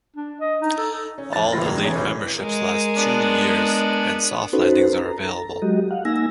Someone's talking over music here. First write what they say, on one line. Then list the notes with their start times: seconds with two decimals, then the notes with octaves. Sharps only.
All elite memberships last two years and soft landings are available.
0.16 D4
0.41 D#5
0.62 D#4
0.78 A4
1.18 C#4
1.33 F2 E4 A6
1.52 F#1 D#2 A2 E4 F4 A#6
1.66 E1 A#4
1.83 E3 A3 C#4 G#4 C#5
1.95 B1 B2 E3 C#5 G6
2.38 G#3 A#4
2.97 B3 D4
4.53 C#4 D#4 F#4 A4 B4 C5
4.93 A4 A#5
5.62 F#3 G#3 F#4 G4 D#5
5.91 F5 F#5
6.05 A#3 D#4 G#5 E6 A#6